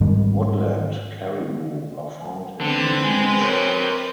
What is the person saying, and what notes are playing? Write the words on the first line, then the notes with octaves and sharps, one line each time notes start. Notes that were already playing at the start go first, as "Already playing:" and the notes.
Woodland caribou are found in the east.
G#2 D#3 G3
D3 C4 B4
G#3
A#4 C#5